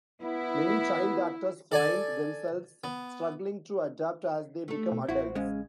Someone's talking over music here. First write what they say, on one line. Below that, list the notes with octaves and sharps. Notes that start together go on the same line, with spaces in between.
Many child actors find themselves struggling to adapt as they become adults.
B3 E4
A4 D5 G#5 A5
B3
A3 A4
B2
A1 C4 E4 F#4
C#3 G#3